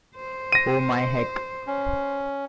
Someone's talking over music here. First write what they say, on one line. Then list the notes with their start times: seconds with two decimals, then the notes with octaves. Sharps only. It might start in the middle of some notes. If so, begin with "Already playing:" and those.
Oh my Heck!
0.16 C5
0.52 A#6 D#7
1.67 C#4